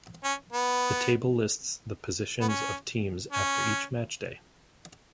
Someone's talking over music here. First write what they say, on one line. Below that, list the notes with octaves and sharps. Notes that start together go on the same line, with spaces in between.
The table lists the positions of teams after each matchday.
C#4
B3
B3
C#4
C#4